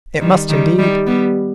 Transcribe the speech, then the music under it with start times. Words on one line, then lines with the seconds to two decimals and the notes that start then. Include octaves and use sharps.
It must indeed.
0.21 D#3 G3
0.50 D#3 G3
0.78 D#3 G3
1.06 G3 B3